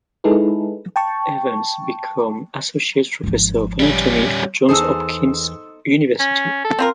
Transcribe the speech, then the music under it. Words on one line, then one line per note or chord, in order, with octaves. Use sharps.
Evans became associate professor of anatomy at Johns Hopkins University.
G#3 D#4 E4 G#4 A4 B4
G5 A5 C#6
G#1 F3
G3 C#4
E2 D#4 G#4 A4 C5 D#6 E6
C#4
A4
C4 F4 A#4